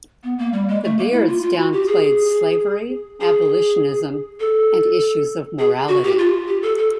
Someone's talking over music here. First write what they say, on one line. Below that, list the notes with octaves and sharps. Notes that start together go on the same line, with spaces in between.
The Beards downplayed slavery, abolitionism, and issues of morality.
B3
A#3
G3
G#3
A3
A#3
E4
F4
F4
F#4
G4
G#4
G#4
A4
G#4
F#4
G4
F4
G4
A4
A4